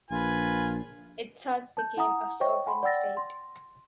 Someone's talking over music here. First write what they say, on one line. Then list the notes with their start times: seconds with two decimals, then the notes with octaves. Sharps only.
It thus became a sovereign state.
0.10 A#1 F4 B4 G#5
1.77 A5 G6
1.97 E4 F#5 G#5 A#5 D#6
2.40 C5 C#5 D#5 G5 C#6
2.66 F#5 G#5 B5 C6
2.83 D5 F#5 G5 E6 A6 A#6
3.17 C6